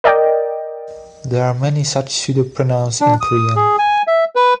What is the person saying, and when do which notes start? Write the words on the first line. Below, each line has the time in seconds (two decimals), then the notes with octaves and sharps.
There are many such pseudo-pronouns in Korean.
0.04 A#4 D5 D#5 G5
3.01 D4
3.21 D#6
3.56 G#4
3.78 G#5
4.07 E5
4.36 B4